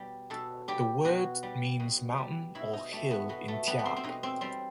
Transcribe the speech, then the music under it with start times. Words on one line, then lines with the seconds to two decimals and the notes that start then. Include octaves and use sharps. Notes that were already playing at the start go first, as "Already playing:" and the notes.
The word means "mountain" or "hill" in Tyap.
Already playing: B2 G3
0.30 B2 A4
0.68 G3 G4
1.05 B2 F#4
1.43 G3
1.80 B2
2.18 G3
2.55 B2 E4
2.73 D#4
2.92 G3 A3
3.11 B3
3.29 B2 B3
3.48 A3
3.67 G3 B3
3.79 B3
3.86 C4
3.97 C4
4.04 B2 D#4
4.23 C4
4.41 G3 C4